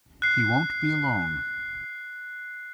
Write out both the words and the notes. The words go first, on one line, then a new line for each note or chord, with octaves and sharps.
He won’t be alone.
F#6 C7